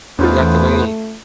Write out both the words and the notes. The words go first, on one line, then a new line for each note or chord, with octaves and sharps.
You got the way.
E2 A3 B3 C#4 D#4 F4 B4 C5